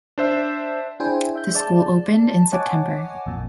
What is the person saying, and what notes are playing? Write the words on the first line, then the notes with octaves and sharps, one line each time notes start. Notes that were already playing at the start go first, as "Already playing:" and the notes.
The school opened in September.
D4 C5 E5
D4 E4 G#4 C5 G5 G#5
E5 G6
G#3 D5 A5
C#5 D#5 F#5 G#5 A5 D6
A1 F2 A#2